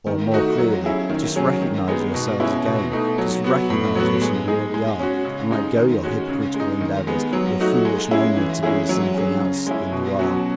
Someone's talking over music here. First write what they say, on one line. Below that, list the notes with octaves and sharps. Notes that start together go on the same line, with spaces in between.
Or, more clearly: Just recognize yourselves again, just recognize what you really are, and let go your hypocritical endeavors, your foolish mania to be something else than you are.
D#3
A3 D#4 F#4
F#3
C#4 E4 G#4
D#3
F#3 C#4 G#4
D#3
G#3 B3 D#4 G#4
B2
G#3 C#4 E4
B2
A3 D#4
F#3
B3 F#4
A2
F#3 B3 F#4
G#3
D#4 G#4
G#3
C#4 F#4
C#3
G#3 D#4
D#3
G#3 C#4 F#4
C#3
G#3
D#4
D#3
G#3 B3
F#3
A3 D#4 F#4
G#3
C#4 E4 G#4
E3
G#3 C#4 E4 G#4
F#3
C#4 G#4
C#3
G#3 C#4 E4
B2
F#3 C#4 F#4